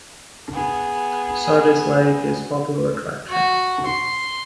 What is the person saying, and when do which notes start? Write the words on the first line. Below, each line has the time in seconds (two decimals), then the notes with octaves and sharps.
Sardis Lake is a popular attraction.
0.52 B3 G#4
3.30 F#4
3.86 C6